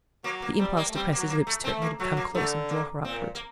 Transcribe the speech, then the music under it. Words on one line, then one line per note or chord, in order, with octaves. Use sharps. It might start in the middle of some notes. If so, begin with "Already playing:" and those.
The impulse to press his lips to it made him come close and draw her upward.
F#3 A#3
A#3
G3 C4
A#3
A3
G3 C4
A#3
F#3
A#3
A3
A3 C4
A#3
F#3 A3
A#3
D3 A3
A#3
A#2 C4
A#3